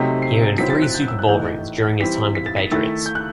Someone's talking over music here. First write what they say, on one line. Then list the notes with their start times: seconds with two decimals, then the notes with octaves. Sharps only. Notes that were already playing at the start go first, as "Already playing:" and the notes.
He earned three Super Bowl rings during his time with the Patriots.
Already playing: C3 F#3 A3 C4 D#4 B6
0.22 C7
0.58 F#3 C4 E4 B6
0.70 A6
0.82 F#6
0.94 G6
1.08 E6
1.19 F#6
1.29 A2 E3 A3 D#4 G6
2.00 E3 G3 C4 E4 B6
2.35 B6
2.46 A6
2.57 B6
2.71 D#3 A3 E4 A6
3.06 G6
3.15 F#6